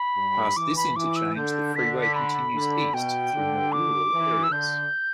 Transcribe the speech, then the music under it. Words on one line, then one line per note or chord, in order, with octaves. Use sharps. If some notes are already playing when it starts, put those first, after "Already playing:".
Past this interchange, the freeway continues east through more rural areas.
Already playing: B5
G2
E3 D6
B5
E3 D6
E6
D3 G6
D3 B6
B6
B5
D3
B2 G5
D3
D6
E3
E6
D3 G6